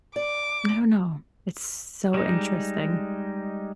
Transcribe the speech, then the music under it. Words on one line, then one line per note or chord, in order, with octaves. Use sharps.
I don't know, it's so interesting.
D5 D6
G3 G#3 D#4